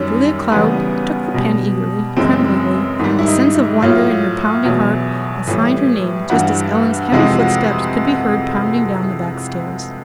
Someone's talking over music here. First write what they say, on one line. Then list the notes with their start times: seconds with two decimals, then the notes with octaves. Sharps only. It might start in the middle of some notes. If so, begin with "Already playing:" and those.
Julia Cloud took the pen eagerly, tremblingly, a sense of wonder in her pounding heart, and signed her name just as Ellen's heavy footsteps could be heard pounding down the back stairs.
Already playing: F#2 D#3 G3 C#4
0.52 E2 C#3 E3 G3 B3
1.34 B2 G3
2.17 F#2 C#3 E3 G#3 C4
2.99 G#2 D#3 G3
3.19 E4
3.28 D#4
3.55 E4
3.82 A2 F#3 F4
4.65 E2 B2 F#3
5.47 A2 E3 G3
6.30 G2 E3 G3 F#4
7.12 F2 C3 E3 G#3 F#4
7.40 F#4